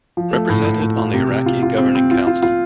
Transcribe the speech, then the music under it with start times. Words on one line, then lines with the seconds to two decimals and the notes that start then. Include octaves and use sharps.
Represented on the Iraqi Governing Council.
0.17 F3
0.33 A3
0.50 A2
0.65 A2
0.82 A2
0.97 F4
1.14 C3
1.30 C3
1.46 F4
1.63 F4
1.78 C4
1.95 C4
2.11 F4
2.27 F4
2.43 F4